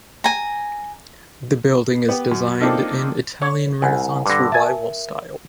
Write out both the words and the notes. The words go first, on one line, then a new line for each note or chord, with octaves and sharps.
The building is designed in Italian Renaissance Revival style.
G#5 A#5
B3 G4 B4
F#2
A#3 C4 D4 D#4 F4 A4
C#5
C2 F#5 G#5
G2 D3 D6 A#6
A#4 E5 G#5 A5